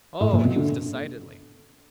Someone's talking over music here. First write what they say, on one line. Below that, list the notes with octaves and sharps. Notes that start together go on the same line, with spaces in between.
"Oh, he was, decidedly."
A2
A#2
B2
D3